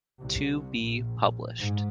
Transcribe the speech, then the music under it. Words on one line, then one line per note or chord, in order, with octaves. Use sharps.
To be published.
C2
A#1
G#2